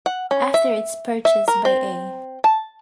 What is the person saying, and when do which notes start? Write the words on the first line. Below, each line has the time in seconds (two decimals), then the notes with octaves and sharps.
After its purchase by A.
0.06 F#5
0.31 C#4
0.54 E5
1.25 E5
1.48 A#4
1.65 C4
2.44 A5